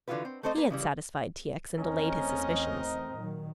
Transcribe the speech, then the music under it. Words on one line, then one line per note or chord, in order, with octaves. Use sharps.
He had satisfied T. X. and allayed his suspicions.
D3 E3 F#3 F4 F#4 B4
C4
A3 C4 A4 C5 C#5 D#5
A#3 B4
C#3 E3 G3
E2 A3 C4 C#4 D#4 A#4 D#5
A#2 D#3 F#3